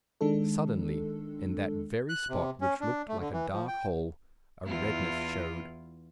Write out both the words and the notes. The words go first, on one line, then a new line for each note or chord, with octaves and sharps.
Suddenly, in that very spot which looked like a dark hole, a redness showed.
D#3 G#3 D4 A4
F#6
C3
C#4
D4
A3
D3
E3
F3
G5
E2 E4 F4